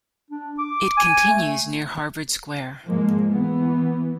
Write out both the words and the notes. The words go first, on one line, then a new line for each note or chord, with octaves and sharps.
It continues near Harvard Square.
D4
D6
G#5
A3
G#2 F3 G#3 A#3
E3 B3